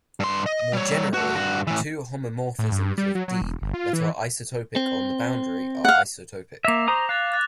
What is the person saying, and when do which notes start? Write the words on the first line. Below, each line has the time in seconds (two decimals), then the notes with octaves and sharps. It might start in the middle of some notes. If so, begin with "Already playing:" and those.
More generally, two homeomorphisms of "D" that are isotopic on the boundary are isotopic.
0.20 G2 C6
0.46 D#5
0.73 G3 C#5
1.14 A3 F#4
1.35 G2 F#4
1.67 A2 E3
2.59 A2
2.72 G2
2.98 G3
3.15 F#3
3.28 F#3
3.42 E1
3.62 G1
3.74 F4
3.93 E3
4.76 C4
5.85 F5 F#5
6.65 A#3 E5 D6 A#6 F7
6.88 C5 A#5 D#6
7.09 F5 F#6 A6 F7
7.33 F#6 A6